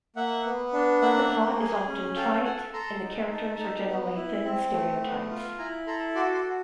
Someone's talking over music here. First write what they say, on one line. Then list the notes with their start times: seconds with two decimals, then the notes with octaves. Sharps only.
The plot is often trite, and the characters are generally thin stereotypes.
0.16 A#3 E5 F#5
0.45 B3
0.73 D4
1.01 A#3 E5 F#5
1.31 A#3
1.60 G#4
1.88 C#4
2.16 A4 F5 G5
2.44 A4 F#5 G#5
2.73 A4 A#5 C6
3.02 D#4
3.31 A4
3.59 D#4
3.87 B3
4.16 E4
4.44 C4
4.72 A3
5.02 B3
5.30 F4
5.59 E4 G#5 A#5
5.87 A4 A#5 C6
6.15 F#4 C6 D6
6.34 C6 D6
6.44 F#4